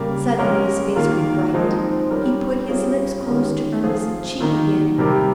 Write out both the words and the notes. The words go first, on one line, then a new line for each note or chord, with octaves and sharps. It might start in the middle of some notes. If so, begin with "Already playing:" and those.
Suddenly his face grew bright. He put his lips close to Irma's cheek again.
Already playing: C#3 G3 A#3
G#3 C#4 G4 A#4
D#3 A#3 F4 A#4
F3 G#3 C4 D#4
G3 C#4 G4 A#4
G3 C#4 F4 G#4
D#3 G#3 C#4 G4 A#4
F3 C4 F4 G#4
D#3 A#3 D#4 A#4
C3 G3 C4 G4 A#4